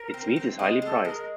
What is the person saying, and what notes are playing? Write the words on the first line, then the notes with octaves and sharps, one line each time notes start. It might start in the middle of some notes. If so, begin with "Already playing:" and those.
Its meat is highly prized.
Already playing: A#4
C4
C4
G#3
G#3 A4
G#3 A#4